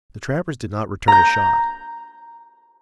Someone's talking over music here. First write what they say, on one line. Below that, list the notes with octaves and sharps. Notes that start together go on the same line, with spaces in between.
The trappers did not return a shot.
A#5 G6